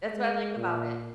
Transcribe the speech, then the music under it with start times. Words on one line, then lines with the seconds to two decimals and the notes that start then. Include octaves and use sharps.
That's what I like about it.
0.14 G#3
0.56 A#2